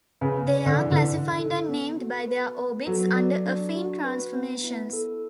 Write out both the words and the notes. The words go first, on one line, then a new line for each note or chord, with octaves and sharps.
They are classified and named by their orbits under affine transformations.
C#3 B4
D5
D3
E3 E4
D3
D4
A4
B3
F#4
B4
B3
F#3 A4
D5
D4
F#4
B4
B3
E4
A4